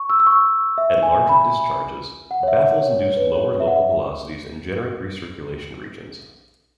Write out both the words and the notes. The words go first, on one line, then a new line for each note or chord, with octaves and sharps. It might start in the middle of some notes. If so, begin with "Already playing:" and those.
At larger discharges, baffles induce lower local velocities and generate recirculation regions.
Already playing: C#6
E6
E6
C#6
E5
G#5
B5
F#5
C#5
E5
C#5
C#5
B4
C#5
E5
F#5
E5